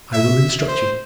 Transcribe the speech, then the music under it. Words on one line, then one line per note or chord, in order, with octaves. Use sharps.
I will instruct you.
E5
C5